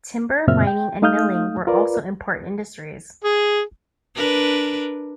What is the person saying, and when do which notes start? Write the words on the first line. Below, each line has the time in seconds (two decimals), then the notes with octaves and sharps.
Timber, mining and milling were also important industries.
0.48 F#2 A#2 C#3 C4 E5 F6
0.67 G5
1.02 A3 D#4 F5 D#6 F6 G6
1.67 F4 A#4 B4 D5
3.24 G#4
4.15 D4 A#4 B4